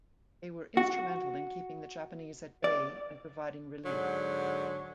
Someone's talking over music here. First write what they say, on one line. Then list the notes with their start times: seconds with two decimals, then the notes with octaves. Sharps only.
They were instrumental in keeping the Japanese at bay and providing relief.
0.77 F#4
2.64 D5
3.86 G#2 D3 F#3